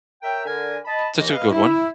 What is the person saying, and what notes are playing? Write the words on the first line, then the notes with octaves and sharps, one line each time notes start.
That's a good one.
A#4 C#5 E5 G5
D3 A#4 G#5
D#5 A5 B5
D#2 E3 D#5
B4 D#5 F5
E4